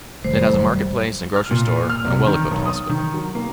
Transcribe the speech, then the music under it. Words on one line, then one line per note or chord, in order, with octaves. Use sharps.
It has a market place and grocery store, and a well-equipped hospital.
F1 F#2 D#3 G3 A3 C5
F6
A#2
F6
C2
D#3
B1
D#6
D#3
F#3
A#3